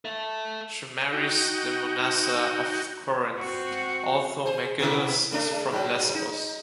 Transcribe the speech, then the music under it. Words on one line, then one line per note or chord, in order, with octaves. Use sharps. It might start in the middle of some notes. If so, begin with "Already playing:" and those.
She marries Demonassa of Corinth, although Megillus is from Lesbos.
A4 E5
D#4 F#4 G5
C4 F#4
G#4 C5
B2 B3 E4
C#3 A3 D4
G#2 F#3 G#3
D#4